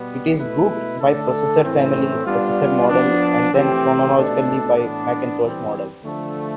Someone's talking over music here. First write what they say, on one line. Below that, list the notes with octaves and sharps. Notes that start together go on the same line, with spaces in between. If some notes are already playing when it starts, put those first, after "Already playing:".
It is grouped by processor family, processor model, and then chronologically by Macintosh model.
Already playing: B2 G3 B3
B2 A3 E4 B4
D3 A3 D4 A4
A2 E3 A3 C4
G3 B3 D4 F4
F3 B3 D4
E3 A3 C4 G4
B2 A3 D4 A4 D5
A2 E3 B3 D4
E3 G3 C4
D3 F3 A3